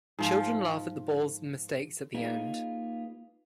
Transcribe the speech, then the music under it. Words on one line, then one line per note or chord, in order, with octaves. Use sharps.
Children laugh at the balls' mistakes at the end.
G#2 F3 F4
A#3 D#4 F4 G#4 B4